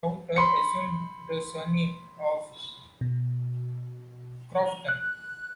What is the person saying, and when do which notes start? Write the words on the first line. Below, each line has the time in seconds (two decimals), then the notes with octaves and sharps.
Lowther assumed the surname of Crofton.
0.36 B5 C6 C#7
3.01 B2
4.88 F#6